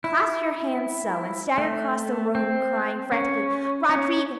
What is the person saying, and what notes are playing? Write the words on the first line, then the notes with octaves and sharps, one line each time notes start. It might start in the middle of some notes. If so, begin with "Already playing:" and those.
Clasp your hands so, and stagger across the room, crying frantically, 'Roderigo!
E4
A3
C4
C#4
C#4